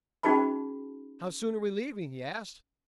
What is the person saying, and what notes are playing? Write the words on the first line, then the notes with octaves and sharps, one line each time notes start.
"How soon are we leaving?" he asked.
C#4 D#4 F#4 G#4 A5 B5